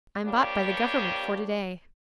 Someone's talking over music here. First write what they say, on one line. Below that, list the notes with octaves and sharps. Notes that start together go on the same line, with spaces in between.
"I'm bought by the government for to-day."
F3 G3 A#3 D4 G4 C#5